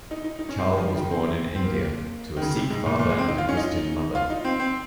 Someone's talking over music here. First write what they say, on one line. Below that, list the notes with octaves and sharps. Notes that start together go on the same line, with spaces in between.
Chal was born in India, to a Sikh father and a Christian mother.
D#4
D#4
D#4
C#4
C4
G#3
F3
D#3
C#3
D#3
C4
C4
A#3
A#3
D#3
C#3
C3
G#2
A#2
A#2
G#3
C4
D#4
F4
C#4
D#4
F4
D#4
C4
C4